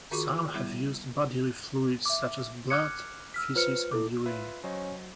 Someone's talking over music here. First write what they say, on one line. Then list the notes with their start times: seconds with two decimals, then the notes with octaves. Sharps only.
Some have used bodily fluids such as blood, faeces and urine.
0.11 D#3 F4 F#4 G#4 C#6 D6
0.54 G3 B3 E4 E5
2.06 E5 D6
2.70 D6 F6 F#6 G#6 C#7
3.34 E6 F6 B6
3.55 F4 B4 C5 F6 C#7
3.91 E4 A4 D6
4.26 F4 B4 E5
4.64 F#3 C#4 C5 D#5